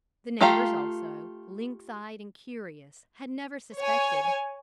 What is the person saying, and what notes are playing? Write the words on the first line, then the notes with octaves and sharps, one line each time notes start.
The neighbours also, lynx-eyed and curious, had never suspected.
A3 F4 G4 F5 A#5
C#5 G#5